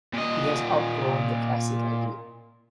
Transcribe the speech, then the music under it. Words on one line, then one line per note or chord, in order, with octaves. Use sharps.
He has outgrown the classic idea...
A#2 D#5